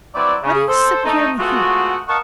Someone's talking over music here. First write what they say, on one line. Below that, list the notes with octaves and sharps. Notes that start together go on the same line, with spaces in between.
Why do you sit here in the heat?
F#3 C4 E4 B4 D5
C#3
A4 C5
A3 D#4
G#3 A3 B3 F4 F#4
A#4 D#5 F5 F#5 A5 C#6